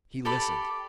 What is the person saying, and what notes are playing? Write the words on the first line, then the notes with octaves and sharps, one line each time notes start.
He listened.
G4 A4 D5 B5